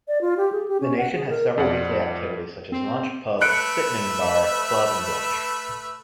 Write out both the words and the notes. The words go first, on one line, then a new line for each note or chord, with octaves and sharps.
The nation has several weekly activities such as lunch, pub, sittningar, club and brunch.
D5
F4
G4
G#4
G4
C#4
F#5
G#4
A#4
F2 F4 D5 F#5
C4
A3 B4 E5 F#6 C#7 D7